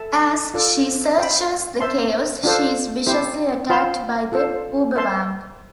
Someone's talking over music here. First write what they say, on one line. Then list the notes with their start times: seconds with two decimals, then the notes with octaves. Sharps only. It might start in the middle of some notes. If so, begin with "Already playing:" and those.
As she searches the caves, she's viciously attacked by the Ubervamp.
Already playing: A4 E5 A5
0.54 F4 A4 D5
1.18 C5 G5 B5
1.80 C5 E5 A5 C6
2.44 D4 F4 A4 C5
3.07 E4 G4 C5
3.70 F4 C5 F5 A5 C6
4.32 F4 A4 C5
4.96 C5 E5 A5 C6